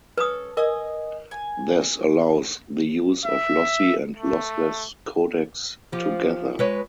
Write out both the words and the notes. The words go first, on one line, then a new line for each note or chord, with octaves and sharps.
This allows the use of lossy and lossless codecs together.
C#4 A4 B4 D#6
A#4 D#5 G#5 D#6
G#5
E5
A3
F3 G4
G#3 B4 C#5